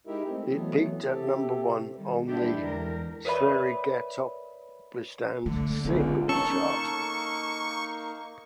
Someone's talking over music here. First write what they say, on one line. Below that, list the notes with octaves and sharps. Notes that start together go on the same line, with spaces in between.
It peaked at number one on the Sverigetopplistan singles chart.
G#3 D#4 E4 G4 A#4 E5
A3 C4
E3 F#3 A3 B3
C3 C4 G4 A4
D#3 G3
D3 G#3 D4 E4 G4 B4
E2 A#4
A#4 B4 C#5 D5 E5 B5
D3 A3
C#2 B3
A#3 C#4 D#4 A4 C#6